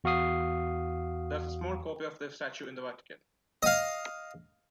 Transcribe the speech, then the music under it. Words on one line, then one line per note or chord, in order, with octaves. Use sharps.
There is a small copy of the statue in the Vatican.
E2 F#4 F5 D#6 C7
D#5 F5